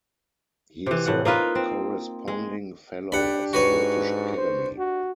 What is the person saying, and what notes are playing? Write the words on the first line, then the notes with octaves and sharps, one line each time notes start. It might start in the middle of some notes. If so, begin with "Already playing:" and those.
He is a Corresponding Fellow of the British Academy.
C3 E3
A2 F#5
A#3 D#4 F4 B4
C4
G#3
D4 G4 D5 F#5 B5
G#2 F#4 B4 C#5
C5
F#4